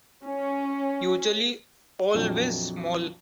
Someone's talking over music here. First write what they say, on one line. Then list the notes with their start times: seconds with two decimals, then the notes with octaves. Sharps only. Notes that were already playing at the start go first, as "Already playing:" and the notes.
Usually always small!
0.25 C#4
2.14 A#1 F2 F#3